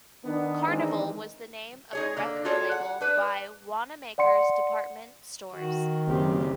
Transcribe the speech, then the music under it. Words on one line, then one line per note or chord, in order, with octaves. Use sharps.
Carnival was the name of a record label by Wanamaker's department stores.
D#3 B3 D4
D#3 E3 G#3 C4 D4 D#4
D#4 G#4 C#5
D3 A#3
F4 F#4 G#4 A4 C#5 D5
F#5
D4 B4
D5 F#5 C6 C#7
D#3 F#4
F#1 C4 G4